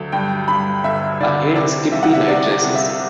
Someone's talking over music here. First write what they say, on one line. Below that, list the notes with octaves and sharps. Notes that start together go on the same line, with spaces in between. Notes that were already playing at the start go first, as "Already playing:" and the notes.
I hate skimpy night-dresses.
Already playing: D2 F#3
G2 G5
G2 B5
G1 E5
D3 D5
C3 D5
C2 E5
F#5
E5
C3 D5
D5
C2
E5